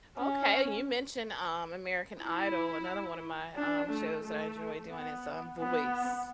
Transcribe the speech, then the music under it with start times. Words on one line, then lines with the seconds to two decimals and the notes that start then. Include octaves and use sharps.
Okay, you mentioned, um, American Idol, another one of my, um, shows that I enjoy doing is, um, Voice.
0.18 C#4
2.20 E4
3.55 D4
3.90 A3
4.24 A3
4.90 B3
5.59 B3